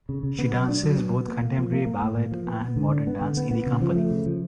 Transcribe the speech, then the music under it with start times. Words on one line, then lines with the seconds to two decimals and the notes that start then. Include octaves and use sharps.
She dances both contemporary ballet and modern dance in the company.
0.09 C#3
0.23 C#3
0.39 B3
0.53 F#3
0.68 D4
0.83 F#3
0.98 B3
1.13 B3
1.28 A#3
1.42 A#3
1.58 F3
1.72 A#3
1.87 A#3
2.02 A2
2.18 A#3
2.32 F3
2.47 B3
2.61 B3
2.76 D3
2.91 D4
3.07 B3
3.21 D3
3.37 B3
3.51 B3
3.66 C#3
3.82 F3
3.96 A3
4.11 C#3
4.26 F3